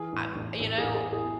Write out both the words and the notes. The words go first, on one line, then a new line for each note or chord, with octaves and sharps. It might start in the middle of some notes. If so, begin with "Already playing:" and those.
I'm you know
Already playing: E3 G#4
A1
A1
A1 A4
G#4
A1
G#4
A2
G#4